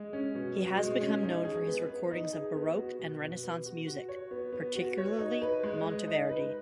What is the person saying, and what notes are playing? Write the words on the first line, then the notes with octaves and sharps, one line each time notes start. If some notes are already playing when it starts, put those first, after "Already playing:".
He has become known for his recordings of Baroque and Renaissance music, particularly Monteverdi.
Already playing: G#3
C#4
B2
B2
G#3
C#4
D#4
G#4
B3
B3
D#4
G#4
B3
F#4
B2
B2
B3
F#4
F#4
C#5
B3
B3
F#4
C#5
D#4
B4
G#3
D#5
D#4
B4